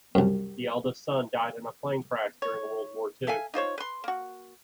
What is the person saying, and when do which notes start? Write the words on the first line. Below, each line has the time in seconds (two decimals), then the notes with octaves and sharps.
The eldest son died in a plane crash during World War Two.
0.15 C2 F#2
2.42 C#5
3.27 A4 E5 F5 G#5
3.54 D#4 F4 C5 C#5
3.78 B4 C6
4.04 A#3 F#4